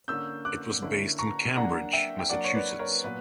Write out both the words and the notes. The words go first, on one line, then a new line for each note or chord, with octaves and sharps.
It was based in Cambridge, Massachusetts.
D3 A#3 C#4 E6 G6
D6 F#6
D3 A#3 C#4 E4
A#5 C#6
F#3 A#3 D4 F#5 A#5
E5 G5
G5
F#3 A#3 D4 D5 F#5
C#5
B4 D5
A#4 C#5
A#2 F#3 B3 B4